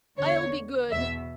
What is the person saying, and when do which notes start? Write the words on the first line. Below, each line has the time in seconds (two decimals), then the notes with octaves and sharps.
I'll be good!'
0.18 E2 D3 C#5
0.91 E2 B2 E5